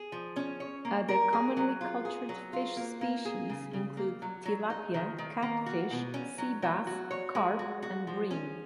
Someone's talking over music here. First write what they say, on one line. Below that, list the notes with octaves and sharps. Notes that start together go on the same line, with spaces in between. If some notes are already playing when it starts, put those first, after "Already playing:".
Other commonly cultured fish species include: tilapia, catfish, sea bass, carp and bream.
Already playing: G#4
F3
C#4
C#5
A#3
A#4
G#4
F#3
F4
G#4
F#3
F4
A#3
A#3
G#4
C#3
C#3
A#3
F#3
F#3
D#4
D#3
D#3
A#3
F#4
B2
C#4
F#3
F#3
F#4
C#5
G#3
F#4
F#4
F3
C#4